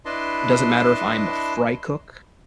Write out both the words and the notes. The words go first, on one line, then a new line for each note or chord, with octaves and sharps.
it doesn't matter if I'm a fry cook
D4 E4 B4 D#5 A5 C6